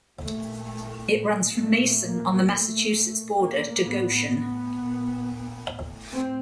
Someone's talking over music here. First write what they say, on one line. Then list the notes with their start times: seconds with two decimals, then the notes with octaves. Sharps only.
It runs from Mason on the Massachusetts border to Goshen.
0.21 A#2 A3
1.12 A#2
1.57 A3
2.03 A#2 A#3
2.49 A3
2.94 A#2
3.39 A#3
3.85 A2 B3
4.30 B3
4.76 A#2
5.67 A2
6.12 C4